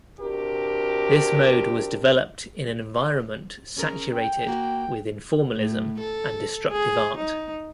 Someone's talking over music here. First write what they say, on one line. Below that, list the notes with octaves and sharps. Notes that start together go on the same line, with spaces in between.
This mode was developed in an environment saturated with Informalism and Destructive Art.
C3 D4 F#4 G4 A#4
C#4 G#4 A#4
G5
A#3 F#4
A2
A4
G#4
D#4